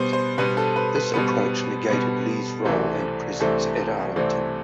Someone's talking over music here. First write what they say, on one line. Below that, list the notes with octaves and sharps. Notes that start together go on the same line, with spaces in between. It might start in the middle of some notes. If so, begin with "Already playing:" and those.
This approach negated Lee's role and presence at Arlington.
Already playing: B2 G3 B3 C5
C5
B2 G3 B3 B4
A4
B4
B4
B2 G3 B3
B2 G3 B3
C2 C3 E3 A3 C4 A4
C2 C3 E3 A3 C4 A4
C2 C3 E3 A3 C4